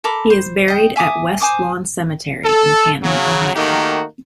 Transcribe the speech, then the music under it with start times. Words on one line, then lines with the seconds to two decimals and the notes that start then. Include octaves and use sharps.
He is buried at West Lawn Cemetery in Canton, Ohio.
0.04 A4 A#4 B5 D6
0.30 C5
0.68 D#5 G5
0.96 E5 G#5 D6 D#6
1.40 C5 G#5 D6 D#6
2.45 A4
3.03 C#3 F#3
3.55 D#3 A3 A#3 D#4 F#4 G4